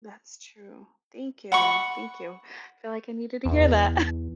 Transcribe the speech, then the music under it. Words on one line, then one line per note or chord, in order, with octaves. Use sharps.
That's true. Thank you, thank you. I feel like I needed to hear that.
F#5 B5 C#6
E2